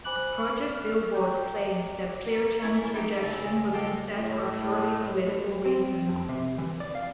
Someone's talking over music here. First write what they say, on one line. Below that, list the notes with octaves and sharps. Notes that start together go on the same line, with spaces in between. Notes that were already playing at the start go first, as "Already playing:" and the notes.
Project Billboard claimed that Clear Channel's rejection was instead for purely political reasons.
C5 G#5 B5 D6 F#6 F#7
F6
G5 A#5 D6 G6
A#4
E4 C#5 G#5
D#4 G4 E5 B5
C#3 E5 A5
G#5
F4 G4 A4 D#5
A2
C4
F2
C3
E3
D5
F5